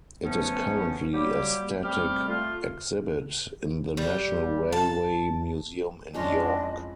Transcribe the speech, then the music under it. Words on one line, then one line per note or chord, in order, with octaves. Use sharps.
It is currently a static exhibit in the National Railway Museum in York.
E3 F3 A3 B3 C#4
F#3 G3 A#3 G4
C3 G3 A3 C4 G4 F6
A3 F4
G3
A5
F2 G#3 C#4 D4 E4 F4 D#5